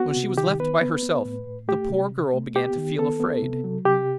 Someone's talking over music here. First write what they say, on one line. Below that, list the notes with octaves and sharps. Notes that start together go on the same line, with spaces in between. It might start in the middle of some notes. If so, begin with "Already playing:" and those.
When she was left by herself the poor girl began to feel afraid.
Already playing: B3 F#4
C3
D#3 G4
B3 B4
B3
B3
A2
A2
A3 G4
C3
C3
A3
B3 G4
D#3
B3 A4
B3
C3
F#3
C3 G4